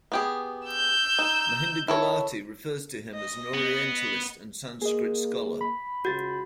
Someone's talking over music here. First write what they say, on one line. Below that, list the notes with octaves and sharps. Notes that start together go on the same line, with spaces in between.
Mahinder Gulati refers to him as an Orientalist and Sanskrit scholar.
B3 G4 G#4
E6 G6
D#4
E4 A4 C#5
D#5
B3
A#3 G#4 D#5
B5
C#2 F#4 G6 A6